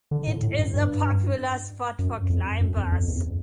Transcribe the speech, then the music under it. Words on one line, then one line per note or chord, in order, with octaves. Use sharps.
It is a popular spot for climbers.
D3
A2
A2
G2
G2
F#2
F2
F#2
F2
F2
E2